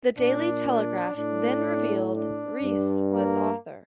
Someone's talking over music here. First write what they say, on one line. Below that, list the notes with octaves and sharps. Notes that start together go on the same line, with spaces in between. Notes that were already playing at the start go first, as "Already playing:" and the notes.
"The Daily Telegraph" then revealed Rees was author.
A#2 D4
D4
A2 D4
D4
G2
A#3